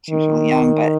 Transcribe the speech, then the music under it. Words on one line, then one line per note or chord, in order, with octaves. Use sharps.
she was really young, but,
D#3